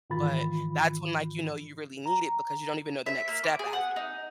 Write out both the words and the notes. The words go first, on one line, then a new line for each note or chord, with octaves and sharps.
but that's when, like, you know, you really need it because you don't even know the next step after.
G#2 D#3 E3 F4 B5 A6
A#5
E5
A#3
D6
G#4
F#5
D#4